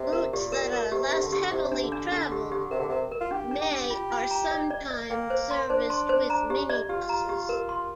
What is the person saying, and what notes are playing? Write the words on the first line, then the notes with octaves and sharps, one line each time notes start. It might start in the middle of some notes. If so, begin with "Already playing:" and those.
Routes that are less heavily traveled may are sometimes serviced with minibuses.
Already playing: C3
A#4
A#2 G4
A#4
A#4
C3 G4
G4
D3
G4
C3 G4
D4
D3
D4
D3 D4
G4
G4
C3 A#4
D3
C3 A#4
A#4
F4
D4 G4
D4
G4
D4
F4
F4
A#5
D5
D5
D5
A#3 G5
C5
C6
D4 C5
C6
C5
A#5
G4
D5
F4 G4
A#5
G4
A#4
C6